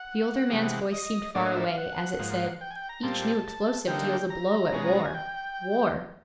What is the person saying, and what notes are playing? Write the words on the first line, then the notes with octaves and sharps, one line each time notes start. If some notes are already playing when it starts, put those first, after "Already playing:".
The older man's voice seemed far away, as it said, 'Each new explosive deals a blow at war,--war!'
Already playing: F#5
C3 E3 G#3
D#5
A2 F#3 A#3 D4 D5
D#5
E5
F5
F#5
G#2 F3 A#3
G5
G#5
G5
A#5
A#2 G3 C4 A5
D3 G3 A#3 D#4 G5
A#5
B2 G#3 C#4
G#5
G5